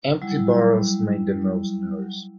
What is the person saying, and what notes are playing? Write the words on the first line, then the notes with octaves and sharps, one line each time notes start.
Empty barrels make the most noise.
F#3 G3 E4